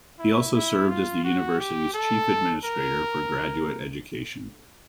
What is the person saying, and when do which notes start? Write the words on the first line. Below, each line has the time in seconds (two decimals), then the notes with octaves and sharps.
He also served as the university's chief administrator for graduate education.
0.19 E4
0.55 E4
0.89 F4
1.24 F#4
1.59 G4
1.94 A4
2.65 A#4